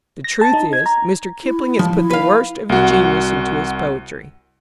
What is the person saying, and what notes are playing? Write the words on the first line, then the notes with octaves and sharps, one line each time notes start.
The truth is, Mr. Kipling has put the worst of his genius into his poetry.
A#6
A5
D#4
G#6
A#5
E4
F3
E4
B4 F5
C2 F#4